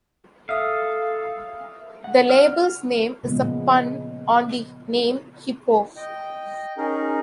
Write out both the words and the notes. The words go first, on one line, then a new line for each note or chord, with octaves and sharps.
The label's name is a pun on the name 'hippo'.
A4 E5 F5 D#6
F#5
F6
A#2 C#3 F3 G#3 B3
D#5 G5
C#4 D#4 G#4 A#4